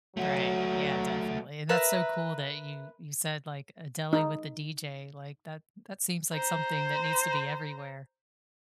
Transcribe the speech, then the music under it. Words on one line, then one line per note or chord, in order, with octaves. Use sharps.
Right, yeah, definitely. And that's so cool that you you said, like, a deli with a DJ like that that seems like something that needs to be everywhere.
F#3 A3 F#4
A#4 B4 E5 A#5
D#4
C5 A#5